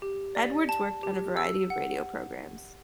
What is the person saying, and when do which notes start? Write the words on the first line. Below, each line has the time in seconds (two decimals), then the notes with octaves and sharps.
Edwards worked on a variety of radio programs.
0.02 G4
0.35 D5
0.69 A5
1.03 G4
1.37 E6
1.70 F#5